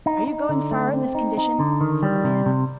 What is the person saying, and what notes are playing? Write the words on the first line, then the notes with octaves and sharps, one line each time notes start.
"Are you going far in this condition?" said the man.
D#4
D#4
D3
A3
C4
D#4
D#4
D3
D#3
G3
C3
C3